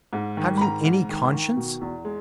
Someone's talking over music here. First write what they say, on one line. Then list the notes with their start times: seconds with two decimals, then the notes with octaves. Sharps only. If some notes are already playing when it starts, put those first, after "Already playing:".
Have you any conscience?
0.13 G#2
0.37 D#3
0.57 B5
0.61 G#2 A#5
0.84 G#2
1.09 D#3
1.33 D#3
1.57 B2
1.81 E2
2.05 G#3